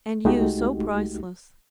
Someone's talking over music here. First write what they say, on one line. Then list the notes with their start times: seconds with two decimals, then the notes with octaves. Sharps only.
And you so priceless!
0.25 C2 G#3 A3 D#4 F#4 G4